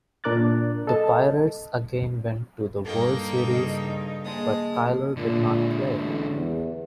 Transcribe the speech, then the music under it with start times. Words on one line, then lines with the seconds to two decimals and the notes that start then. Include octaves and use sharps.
The Pirates again went to the World Series, but Cuyler did not play.
0.24 A#2 D4 A#4 D6 F#6 A6
0.87 A4 D#5 A5
2.85 G2 A#3 D#4 A4 A#4 G5
3.41 C#3
4.25 G#3 A#3 D#5 A5 D#6
5.17 A#2 D3 G#3
6.02 A1
6.36 E2